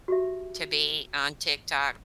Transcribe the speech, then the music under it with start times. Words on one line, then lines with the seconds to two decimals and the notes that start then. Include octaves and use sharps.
to be on TikTok.
0.08 F#4 G4 E5